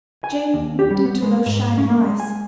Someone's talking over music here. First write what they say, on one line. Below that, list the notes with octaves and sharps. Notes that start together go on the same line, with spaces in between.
Jane looked into those shining eyes.
G#5
D#2
G4
G3
B3
G#3
G#2
C#4
A#3
G#3
G#5